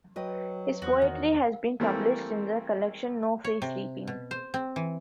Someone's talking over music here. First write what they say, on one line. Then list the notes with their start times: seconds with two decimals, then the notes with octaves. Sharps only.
His poetry has been published in the collection "No Free Sleeping".
0.16 F#3 F#4 B4 D#5 G5
0.82 E2 F#4 C5 D#6
1.02 D#3
1.80 E3 G3 A3 A#3 C4
3.44 C#5
3.62 C3
4.07 B2
4.31 C5
4.54 C4
4.76 E3